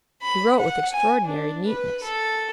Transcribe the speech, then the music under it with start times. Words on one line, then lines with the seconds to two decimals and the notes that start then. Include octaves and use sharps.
He wrote with extraordinary neatness.
0.22 B5
0.59 F#5
0.92 G#5
1.25 D4
1.67 B4
2.03 A4